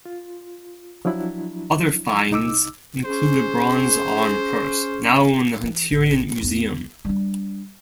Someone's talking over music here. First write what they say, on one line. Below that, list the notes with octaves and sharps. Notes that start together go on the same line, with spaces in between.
Other finds include a bronze arm purse, now in the Hunterian Museum.
F4
F3 F#3 D4 E4
C2 D#4 D6 E6
C#4 G#4 C5
E3
A1
E2 D4
G3 D4